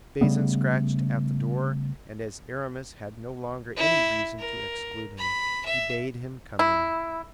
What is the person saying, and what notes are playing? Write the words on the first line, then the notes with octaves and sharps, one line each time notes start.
Bazin scratched at the door, and as Aramis had no longer any reason to exclude him, he bade him come in.
C#3 G3 A3 B3
E4
A#4
B5
E5
E4